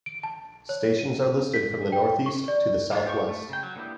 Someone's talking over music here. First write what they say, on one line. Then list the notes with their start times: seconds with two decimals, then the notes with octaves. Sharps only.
Stations are listed from the northeast to the southwest.
0.06 D7
0.23 A5
0.69 C#5
0.99 D#7
1.54 B6
1.92 G5
2.26 C#6
2.48 D5
2.92 G3 G#3 B3 F4
3.07 G4 C#6
3.28 A3
3.49 C#3 G5
3.63 F#3
3.76 D3 A#3 B3 E4 G4